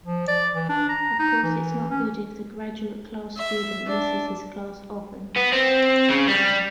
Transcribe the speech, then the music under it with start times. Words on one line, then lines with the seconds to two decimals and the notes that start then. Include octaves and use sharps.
Of course it’s not good if the graduate class student misses his class often.
0.05 F3
0.28 D5
0.54 E3
0.69 D4
0.89 A#5
1.19 D#4
1.43 E3
1.90 C#4
3.38 E5
3.87 D4
5.37 B3
5.53 C4
6.10 C#3
6.28 G3